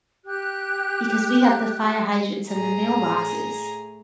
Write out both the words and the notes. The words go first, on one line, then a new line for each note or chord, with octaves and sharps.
because we have the fire hydrants and the mailboxes,
G4 F#6
A2 A3 G#4 A#5